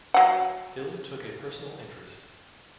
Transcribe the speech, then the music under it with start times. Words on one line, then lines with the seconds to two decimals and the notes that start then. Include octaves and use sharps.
'Hill took a personal interest.
0.14 F#3 F#5